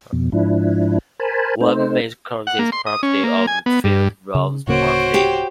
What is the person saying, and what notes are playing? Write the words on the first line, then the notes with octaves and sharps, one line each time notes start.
One may call this property of a field Rolle's property.
F2 B2
G#2 F3 D4 E4
A#4 C5 G#5 A5 B5
A3 C4 D#4 C5
F#5
A#3
C6
D#6
C#4
A#3
G#5
B3
G2
C#3
D1 C#3 A#3 F#4 C5 C#5 D7
G4 G5